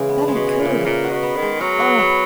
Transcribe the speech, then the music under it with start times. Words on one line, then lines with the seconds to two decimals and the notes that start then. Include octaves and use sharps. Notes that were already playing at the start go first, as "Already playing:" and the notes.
That I could!--Oh!
Already playing: C#3 E3 G#3
0.09 B3
0.28 G#3
0.34 B2
0.47 E3
0.60 A#2
0.65 C#3
0.85 A#2 A#4
1.04 F#4
1.10 B2
1.23 B3
1.36 D#3
1.42 G#3
1.61 F#3 A#4
1.80 F#4
1.98 B3